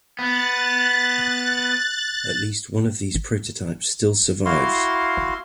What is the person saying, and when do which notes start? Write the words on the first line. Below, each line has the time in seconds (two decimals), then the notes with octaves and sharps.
At least one of these prototypes still survives.
0.19 B3 F#6 A6
4.45 E4 F#4 F5 C6